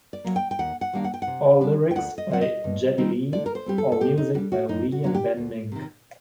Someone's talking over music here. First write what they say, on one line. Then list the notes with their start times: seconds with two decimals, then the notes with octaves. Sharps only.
All lyrics by Geddy Lee, all music by Lee and Ben Mink.
0.13 D5
0.24 F#3 A#3
0.36 G5
0.51 G5
0.59 D#2 F#5
0.81 F#5
0.93 D#3 G3 A#3 D4
1.04 F#5
1.14 G5
1.22 F#5
1.27 C3
1.61 G3 D4
1.91 G5
1.95 D2 F#5
2.18 D#5
2.30 C3 F#3 C4 F#5
2.41 D#5
2.64 G2
2.98 D#3 G3 C4 D#4
3.32 D3 D5
3.46 A#4
3.55 C5
3.66 G3 C4 G4
3.78 A4
3.92 A4
4.01 A2 G4
4.18 D#4
4.35 G3 F#4
4.38 D4
4.52 F#4
4.69 F#2 D#4
4.92 F#4
5.04 D3 F#3 A#3 D4 F#4
5.15 G4
5.37 D2
5.72 C3 D#3